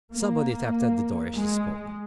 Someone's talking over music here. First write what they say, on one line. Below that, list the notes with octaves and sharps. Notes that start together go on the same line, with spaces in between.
Somebody tapped at the door, as she spoke.
A#3
G#3